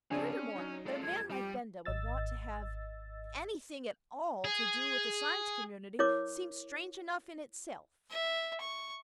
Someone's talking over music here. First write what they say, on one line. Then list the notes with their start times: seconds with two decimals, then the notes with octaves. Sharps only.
Furthermore, that a man like Benda would want to have anything at all to do with the Science Community seemed strange enough in itself.
0.11 C#3 F3 C4 D4 G#4 C#5 G#5
0.32 C#4
0.56 F#3 D#4
0.86 G#3 F4 A4 D5 F5
1.02 F2 F3 G#6
1.30 G3 G4
1.85 G#1 D#5 E6 A6
4.45 G#4
5.99 E4 A#4 C#5 D6
8.10 E5
8.61 C#6